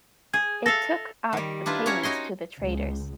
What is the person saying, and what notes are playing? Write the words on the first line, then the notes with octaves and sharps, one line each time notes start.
It took out the payments to the traders.
G#4 G#6
A4 E5 F5 A#6
D#3 G3
D4 E4 F4 B4
C#4 E4 C#5 F#5 A#5
D#4 F#4 D#5 C6
C#2